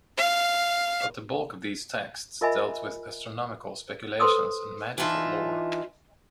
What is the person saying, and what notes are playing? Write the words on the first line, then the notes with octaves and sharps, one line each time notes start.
But the bulk of these texts dealt with astronomical speculations and magical lore.
F5
F4 A#4 D#5 E5 G#5 B5
A4 B4 C5 C6 D#6 E6
E3 D4 D#4 F4 E5 A5